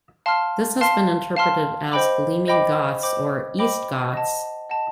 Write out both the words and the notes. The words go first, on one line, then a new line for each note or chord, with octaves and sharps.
This has been interpreted as "gleaming Goths" or "east Goths".
F5 A5 C6 F6
F5 A5 C6 F6
F5 A5 C6 F6
C5 D#5 G5 B5 D6
C5 D#5 G5 B5 D6
C5 D#5 G5 B5 D6
C5 D#5 G5 B5 D6
D#5 F#5 A5
D#5 F#5 A5